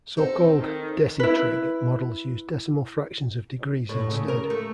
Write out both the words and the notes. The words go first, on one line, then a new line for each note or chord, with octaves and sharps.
So-called "decitrig" models use decimal fractions of degrees instead.
C4 D#4 A4 C5
D#3
E4 B4
A2
C#3
A#4
A3